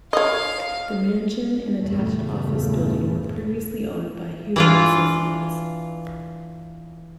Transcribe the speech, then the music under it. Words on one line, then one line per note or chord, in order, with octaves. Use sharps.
The mansion and attached office building were previously owned by Hewitt Associates.
C#5 D#5 F5
E2 G2 A#2 C#3 A3
E3 D4 F4